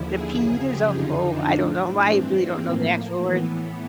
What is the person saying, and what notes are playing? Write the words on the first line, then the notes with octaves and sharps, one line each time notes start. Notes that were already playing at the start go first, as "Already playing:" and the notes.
"The pita zoho," I don't know why, I really don't know the actual words.
Already playing: D#2 D3 F3 E4
G#4
F#2 C#3 F3
G4
F2 D3 F3 D#4
D4
A2 F3
D4
G2 E3 C4
A#3
A2 F3
E3 B3
A2